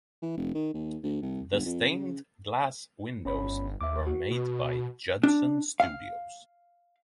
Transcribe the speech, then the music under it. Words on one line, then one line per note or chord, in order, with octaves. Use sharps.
The stained glass windows were made by Judson Studios.
E3
F1
D#3
D#2
D2
C2
G1
F2
C#3
G1 C#4 C#5 B5
D#2 E5 D6
F#4
B2
D4
F5